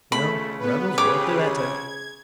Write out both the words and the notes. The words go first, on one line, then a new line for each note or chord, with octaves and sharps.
Well, Ruggles wrote the letter.
C#3 A3 B5
B3 B4
C#3 G4 G#4 B4 C#5 D6
G#6